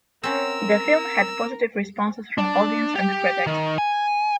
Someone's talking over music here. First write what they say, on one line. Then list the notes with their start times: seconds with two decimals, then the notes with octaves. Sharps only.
The film had positive responses from audience and critics.
0.23 C4 C#4 A#4 F#5 E6
2.38 D4
2.95 G4
3.47 D#3
3.78 G#5